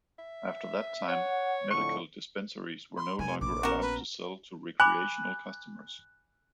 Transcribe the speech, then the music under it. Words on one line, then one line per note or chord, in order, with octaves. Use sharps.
After that time, medical dispensaries were no longer allowed to sell to recreational customers.
E5
C#5 F#5
F2 A2 D3 C#6
B5 C6
F1 G3 G#5
A#1 D6
B3 C#4 F#4 A#4 E7
B4
G#5 B5 D6 F#6